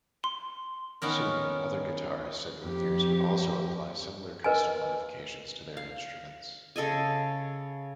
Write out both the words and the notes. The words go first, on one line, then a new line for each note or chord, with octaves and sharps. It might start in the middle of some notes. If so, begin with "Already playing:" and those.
Soon, other guitarists and luthiers would also apply similar custom modifications to their instruments.
C6
D#3 B3 C#4 A#4
F2 G4
A#4 B4 D#5 G#5
F5
C#3 A4 D#5 G#5